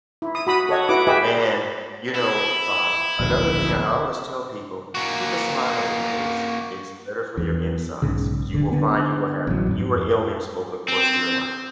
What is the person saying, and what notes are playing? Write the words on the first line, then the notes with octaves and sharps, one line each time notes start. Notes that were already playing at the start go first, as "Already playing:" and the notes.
And, you know, um, another thing I always tell people, keep a smile on your face. It's better for your insides. You will find you will have fewer ailments over the course of your life.
E4
D#6
F#4 B5 D#6
A4 C#5 D#5 F#5
E4 F#4 B4 F#5 D6
G4 G#4 B4 D#5 E5 G#5
E4
D1 A#1 B2
A#3 F#4
E2
B1 G#2 C#3
D#1 D3
D3 B3
A1 F#3
F2 G#2
C4